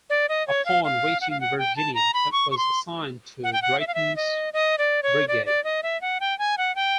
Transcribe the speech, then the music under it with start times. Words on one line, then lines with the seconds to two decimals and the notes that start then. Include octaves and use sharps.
Upon reaching Virginia, it was assigned to Drayton's Brigade.
0.10 D5
0.29 D#5
0.48 C#5
0.66 F5
0.84 F5
1.21 F#5
1.30 F5
1.41 F#5
1.59 G5
1.76 A5
1.95 A#5
2.14 B5
2.32 C#6
2.51 C#6
2.57 C6
3.44 F#5
3.53 G5
3.62 F#5
3.80 E5
3.87 F5
3.94 E5
4.16 D#5
4.53 D#5
4.78 D5
5.03 C#5
5.28 D5
5.46 D5
5.64 D#5
5.83 E5
6.02 F#5
6.20 G5
6.39 G#5
6.58 F#5
6.76 G5